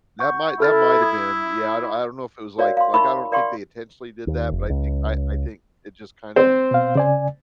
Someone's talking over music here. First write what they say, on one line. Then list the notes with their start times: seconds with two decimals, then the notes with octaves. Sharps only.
That might that might've been. Yeah, I don't I don't know if it was like like, I don't think they intentionally did that, but I think I I think it just kind of
0.19 F#5 C#6 G6
0.60 E4 A4 F6 A6
1.02 D#6 G#6
2.58 F#4 A#4 C#5 D5 E5 F5
2.77 F5 C6
2.94 D#4 A#4 E5 B5 C#6 E6
3.32 A#4 D5 F5 G5 C6 C#6
4.27 D#2
4.52 F1
4.70 C#2
6.36 C4 C5
6.71 B2 F5
6.95 C#3 D5 G#5